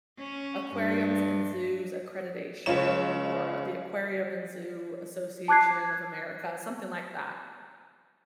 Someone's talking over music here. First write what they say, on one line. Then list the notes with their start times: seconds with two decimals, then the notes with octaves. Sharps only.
Aquariums and Zoos Accreditation or the Aquarium and Zoo Association of America, something like that,
0.19 C#4
0.75 G2
2.66 C#2 F4 C#5 E7
5.48 A5 D6 F#6 G#6 C7